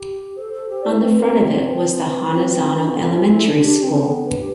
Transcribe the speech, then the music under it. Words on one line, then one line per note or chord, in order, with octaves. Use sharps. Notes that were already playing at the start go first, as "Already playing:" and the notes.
On the front of it was the Hanazono Elementary School.
Already playing: G4
A4 C5
A4
G4
E4 D5
C5
C4 B4
C5
B4
C4
C4
D4
B3
C4 A4
F4
E4
D4
D4 G4
C4 B4
A4
B3
D4 B4
G4